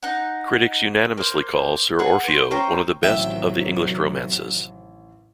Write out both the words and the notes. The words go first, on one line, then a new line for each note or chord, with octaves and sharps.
Critics unanimously call "Sir Orfeo" one of the best of the English romances.
D#4 F#5
A#3 C5
G#4 F#5
B4 C5
C#4 C5 G5 A#5
A1 C3 D#3 F#3 E5 G5